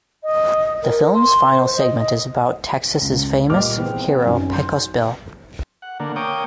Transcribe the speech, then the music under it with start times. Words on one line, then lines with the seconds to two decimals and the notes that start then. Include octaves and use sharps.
The film's final segment is about Texas' famous hero Pecos Bill.
0.23 D#5
0.82 A#4
1.13 C6
1.51 C5
1.76 D#5
1.99 D#5
3.01 C#2
3.50 A#2 G3 B4 D#5 D6 F6
3.78 E3 B3 C4 G#4
4.25 F#2 D#3 F#3 C#4
4.49 C6 G6
5.82 F#5
6.00 D3 A#3
6.16 A#3 C#5 G5 D6 D#6